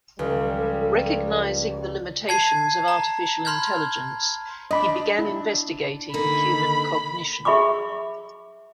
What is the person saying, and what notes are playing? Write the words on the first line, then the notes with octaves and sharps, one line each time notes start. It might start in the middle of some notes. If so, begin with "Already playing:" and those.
Recognizing the limitations of artificial intelligence, he began investigating human cognition.
C#2 F3 G3 A4
A5 G#6 C7
A#5
B5 C6 F6 G6 G#6
D4 D#5 B5 D6
E4
D3 A#3 D#4 B5
G#4 E5 B5 C#6 D6